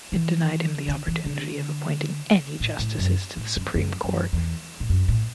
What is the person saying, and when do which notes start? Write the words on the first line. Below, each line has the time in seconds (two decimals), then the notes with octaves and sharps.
It denied him the opportunity of appointing any justices to the Supreme Court.
0.12 E3
0.88 D3
1.08 E3
1.26 D3
2.60 A2
2.79 A2
2.98 F#2
3.37 A2
3.56 F#2
3.75 F#2
4.04 F#2
4.33 E2
4.80 A2
4.89 F#2
5.08 A2